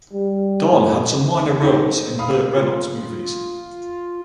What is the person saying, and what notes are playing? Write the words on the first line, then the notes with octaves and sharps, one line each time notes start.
Don had some minor roles in Burt Reynolds movies.
G3
A2
C4 D#4 A4
F5 B5 D#6
F4